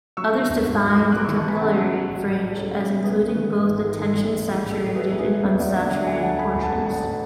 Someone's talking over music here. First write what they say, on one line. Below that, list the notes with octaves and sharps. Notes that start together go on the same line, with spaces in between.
Others define the capillary fringe as including both the tension-saturated and unsaturated portions.
F#3 C#6 E6
D3
E1
G#2
F#3
F#3
B1 D6 F#6
C#6 E6
E3
A5 C#6
B3 G#5 B5
C#3 F#5 A5
F#3
F#3
A1
A1
G#3
C#2 A4 C#5
A3
B2
C#2 G#4 B4
C#2
G#4 B4
E3
G#2 G#4
G#1
A4
G#2
E3 A4
A1
A4
A1
A1 G#4
A1
A4
A2
A3 G#4 B4
A4
B1
G#4 B4
A3
E2 C#5 E5
E2 D5 F#5
D3 C#5 E5
D3 D5 F#5
D2 E5 G#5
F#3 F#5 A5
D2 G#5 B5
E1
F#5 A5
D2
A1 F#5 A5